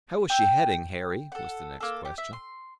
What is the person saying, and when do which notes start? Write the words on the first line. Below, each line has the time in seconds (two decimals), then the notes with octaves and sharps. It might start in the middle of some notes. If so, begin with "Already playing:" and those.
"How is she heading, Harry?" was the next question.
0.30 G5 E6
1.32 A4 F#5
1.80 A#3 A4
2.05 G4
2.18 E5
2.33 C6